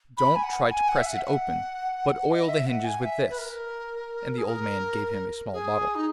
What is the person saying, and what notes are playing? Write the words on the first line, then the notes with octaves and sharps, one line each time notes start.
Don't try to press it open, but oil the hinges with this,' and the old man gave him a small bottle.
B5
G#5
F#5
F#5
G#5
F#5
E5
F#5
E5
F#5
D#5
E5
F#5
G#5
E5
B4
A#4
G#4
A#4
G#4
D#4